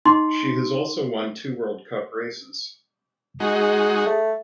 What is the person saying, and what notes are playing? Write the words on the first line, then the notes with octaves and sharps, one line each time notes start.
She has also won two World Cup races.
D#4 C6
G#3 D#4 F#4 G#4
A3